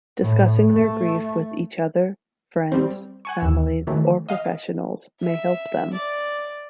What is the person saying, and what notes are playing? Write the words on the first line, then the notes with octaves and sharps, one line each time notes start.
Discussing their grief with each other, friends, families, or professionals may help them.
A2
A3
G3 C4
F#5 G#5 C#6
D#2 E6
D#3 E3 F#3 A3
D#5 F5
E5
D5